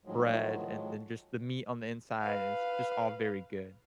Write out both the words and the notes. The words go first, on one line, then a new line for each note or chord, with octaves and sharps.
bread, and then just the meat on the inside and it's just all very good.
A2 D#3 F3 F#3 G#3
B4 F5